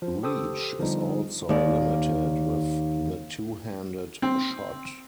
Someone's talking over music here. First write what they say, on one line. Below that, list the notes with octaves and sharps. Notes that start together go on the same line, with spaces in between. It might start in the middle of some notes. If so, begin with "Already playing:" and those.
Reach is also limited with the two-handed shot.
F3
G4 A4 C5 D#6 E6
D3 F3 G3 B3 D#4
D#2 D5
C4